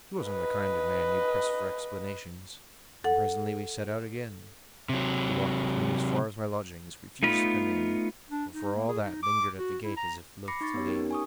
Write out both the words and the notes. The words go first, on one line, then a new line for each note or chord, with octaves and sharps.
He wasn't the kind of man you'd press for explanations, and presently we set out again. He walked with me as far as my lodgings, refused to come in, but for all that lingered at the gate as if loath to leave.
B4 D#5
A4 F#5
C3 F#3
A3 B3 D#4 F4 B5
D4
D#4
A#3
G#4
D#4
D6
F#4
E4
A#5
B5 D6 A#6 C7 C#7
D#4 C#6 A6
B3 G4 C#5
C#4 D#4 G4 A#4
G#5 C#6 D#6